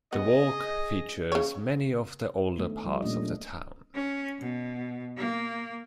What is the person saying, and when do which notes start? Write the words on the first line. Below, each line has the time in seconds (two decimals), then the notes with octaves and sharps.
The walk features many of the older parts of the town.
0.13 B3 G#4 D#5
1.32 C#3 C#5
2.57 D#3 A3 B3 D4
2.70 D#4
2.86 F3 G3
3.02 A#2 A3 A#3 C#4 D4 D#5
3.21 F#3 B3 D4
3.95 C#4
4.40 B2
5.17 A#3